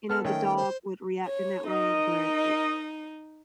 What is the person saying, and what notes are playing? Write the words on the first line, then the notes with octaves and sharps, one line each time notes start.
you know, the dog would react in that way, but it,
B3 A4 F6
D#3 A3 C#4 G5
C5
C#5
D#4 A#4 D#5